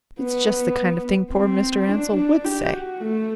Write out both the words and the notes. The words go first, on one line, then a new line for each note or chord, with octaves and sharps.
It's just the kind of thing poor Mr. Ansell would say.
B3
C4
D4
D4
G4
F#4
A3